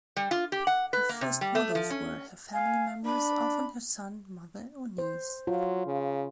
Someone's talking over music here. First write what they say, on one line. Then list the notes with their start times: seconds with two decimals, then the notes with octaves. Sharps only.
Her first models were her family members, often her son, mother, or niece.
0.17 G3
0.31 F4
0.52 G4
0.67 F#5
0.93 B4
1.09 A#3
1.21 C3
1.41 G3
1.55 A3
1.75 F3
1.90 C#4
2.53 F5 G#5
3.05 D4 B5
4.98 C5
5.47 F#3 F4
5.86 C#3